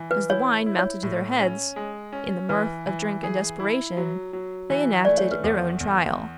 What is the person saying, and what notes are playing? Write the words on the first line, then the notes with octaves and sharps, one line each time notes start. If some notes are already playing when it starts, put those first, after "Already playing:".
As the wine mounted to their heads, in the mirth of drink and desperation, they enacted their own trial.
Already playing: E3
B4
E4 C#5
E4
C#5
A2
C#4
G#3
C#4
E3 B4
E3
G#4
E4
F#3
F#3
E3
A3 D5
C#5
B4
E2 A4
E2